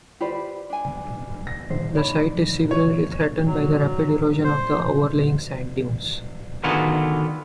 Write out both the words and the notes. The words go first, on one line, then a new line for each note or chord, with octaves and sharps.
The site is severely threatened by the rapid erosion of the overlying sand dunes.
F4 G4 B4 C5 D5 B5
D4 G#5
A#6
A#1 C5
D#4 C#5 D5 B5
C#5
F#3
C5
D3 D#3 B3 F4 F#4 G#4